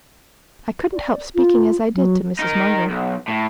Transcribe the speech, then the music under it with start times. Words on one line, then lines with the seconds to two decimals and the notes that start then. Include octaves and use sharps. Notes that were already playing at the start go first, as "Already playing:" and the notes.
"I couldn't help speaking as I did to Mrs. Munger."
0.93 D5
1.34 F4
1.94 F#3
2.39 D#4 A#4
2.90 B1
3.28 A2